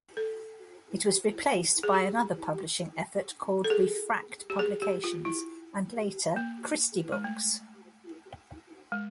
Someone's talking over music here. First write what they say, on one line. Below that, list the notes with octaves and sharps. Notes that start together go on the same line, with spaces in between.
It was replaced by another publishing effort called Refract Publications and later ChristieBooks.
A4
G#4
G4
A4
G#4
G4
G#4
G4
F4
E4
A#3
G#3
A3
G#3